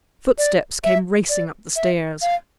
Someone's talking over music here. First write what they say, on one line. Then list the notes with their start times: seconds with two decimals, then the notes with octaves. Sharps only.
Footsteps came racing up the stairs.
0.38 D5
0.84 E5
1.29 D5
1.76 E5
2.22 F5